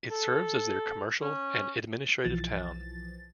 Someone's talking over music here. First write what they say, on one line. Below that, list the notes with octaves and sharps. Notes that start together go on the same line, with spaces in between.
It serves as their commercial and administrative town.
A4
C#4
B1 E3 F3 A6